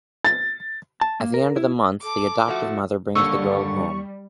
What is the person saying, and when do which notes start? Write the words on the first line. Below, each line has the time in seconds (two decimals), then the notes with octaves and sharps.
At the end of the month, the adoptive mother brings the girl home.
0.24 A6
1.01 A5
1.20 A#3
1.34 A#4
1.56 E4
2.03 A4 D6
2.47 F3 A3 F#4
3.15 D#2 D3 G3 C#6 E6